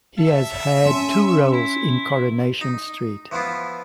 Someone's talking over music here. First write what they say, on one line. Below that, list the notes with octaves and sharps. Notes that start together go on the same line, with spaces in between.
He has had two roles in "Coronation Street".
A4 E5
C#4 C6
E4
D#4
E3 F3 B3 E4 F4